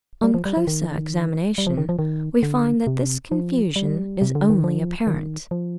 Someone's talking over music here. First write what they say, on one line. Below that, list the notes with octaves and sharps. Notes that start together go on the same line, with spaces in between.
On closer examination we find that this confusion is only apparent.
G3
F3
G3
F3
D#3
G3
F3
D#3
F3
D#3
D3
C3
F3
G3
C3
D3
D#3
F3
D#3
F3